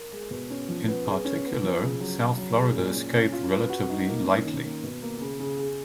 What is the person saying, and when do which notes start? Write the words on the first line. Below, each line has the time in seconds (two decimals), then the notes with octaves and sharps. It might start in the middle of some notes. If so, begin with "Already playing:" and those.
In particular, South Florida escaped relatively lightly.
Already playing: A#4
0.12 G#3
0.31 B2
0.50 C#4
0.69 F3
0.88 B3
1.06 G#4
1.25 C#4
1.44 B3
1.63 F3
1.82 C#3
2.00 F#3
2.20 F#3
2.38 F#3
2.57 G#3
2.76 A#2
2.94 C#4
3.13 C#4
3.32 F4
3.51 B4
3.69 F#4
3.89 D#4
4.08 A#3
4.27 C#4
4.45 D#3
4.64 A#3
4.83 B2
5.02 A#3
5.20 C#3
5.39 C#3
5.58 G#4